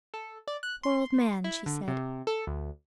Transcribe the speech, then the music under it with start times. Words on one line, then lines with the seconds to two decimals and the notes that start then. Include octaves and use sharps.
"Poor old man!" she said.
0.14 A4
0.48 D5
0.63 F#6
0.83 C6
1.44 E4
1.66 D3
1.88 C3
2.27 A4
2.47 D2